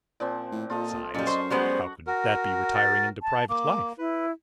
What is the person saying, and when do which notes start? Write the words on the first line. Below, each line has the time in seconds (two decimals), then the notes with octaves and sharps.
Besides, how could that be retiring into private life?
0.20 A#2 F3 C4
0.52 A2
0.70 A#2 F4 A4 D#5
1.14 F#2 A#2 G3 D#5
1.27 C5 C#6
1.50 G3 G#3 B3 F#4 C5 F#5
2.07 F#4 A#4
2.76 A6
3.23 A5
3.49 A#3 D6
3.98 E4 B4